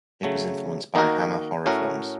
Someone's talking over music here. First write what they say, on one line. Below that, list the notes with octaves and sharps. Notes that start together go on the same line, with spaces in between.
It was influenced by Hammer Horror films.
C#3 F#3 A3
D#3 A#3 D#4 F#4 A#4
A2 A3 C#4 F#4 A#4